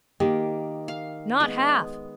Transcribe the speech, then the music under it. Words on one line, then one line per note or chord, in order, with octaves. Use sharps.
Not half.
D#3 A#3 G4
F5
G#3 B3